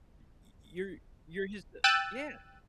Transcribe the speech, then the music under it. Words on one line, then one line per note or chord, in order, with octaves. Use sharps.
y y you're you're just a yeah.
G5 E6 F#6 A6 D#7